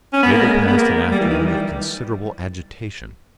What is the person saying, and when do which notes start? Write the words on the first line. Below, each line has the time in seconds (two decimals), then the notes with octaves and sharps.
Mabel passed an afternoon of considerable agitation.
0.13 C#4
0.23 B3
0.31 A#3
0.41 G#3
0.68 B3
0.77 A#3
1.12 G3
1.21 E3
1.30 D#3
1.38 E3
1.47 G3